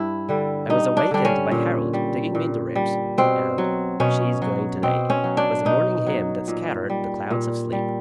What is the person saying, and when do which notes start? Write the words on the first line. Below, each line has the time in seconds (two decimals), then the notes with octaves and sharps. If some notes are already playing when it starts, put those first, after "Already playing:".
I was awakened by Harold digging me in the ribs, and "She's going to-day!" was the morning hymn that scattered the clouds of sleep.
Already playing: G2 E4
0.29 D3 G3
0.70 G2 D#4
0.97 D4
1.11 D3 G3 D4
1.25 C#4
1.51 A#2
1.93 G3
2.35 A#2
2.75 G3
3.18 B2 C4
3.58 F#3
4.00 B2 C#4
4.42 F#3
4.83 B2 C4
5.10 C#4
5.24 F#3
5.37 D4
5.65 B2 D#4
6.07 F#3
6.48 A#2
6.90 G3
7.31 A#2
7.72 G3